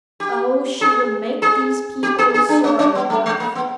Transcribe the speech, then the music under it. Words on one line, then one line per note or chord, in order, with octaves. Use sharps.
Oh, she would make these people sorry enough!
G4
G#4
G#4
G4
G#4
G#4
D4
C#4
C#4
B3
A3
G#3
A#3
B3